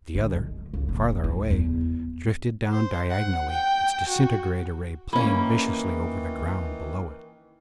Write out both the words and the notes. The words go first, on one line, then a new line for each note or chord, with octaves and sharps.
The other, farther away, drifted down diagonally, its disintegrator ray playing viciously over the ground below it.
F#2 D3
G#3
C#2
D#1
F3 E4
E2
C5
F#5
G5
F#4
D#3 E3 A#3 C#4 B5